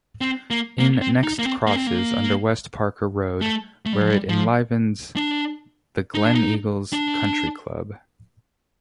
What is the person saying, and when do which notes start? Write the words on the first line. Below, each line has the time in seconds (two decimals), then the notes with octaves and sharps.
It next crosses under West Parker Road where it enlivens the Gleneagles Country Club.
0.21 C4
0.51 A#3
0.79 A#3
1.01 C4
1.23 D#4
1.39 A#3
1.45 C4
1.67 A#3
1.76 C4
1.87 A#3
3.41 A3
3.86 A3
3.93 G3
4.01 F3
4.10 G3
4.29 F3
5.16 D4
6.14 D#4
6.25 D4
6.35 D#4
6.93 D4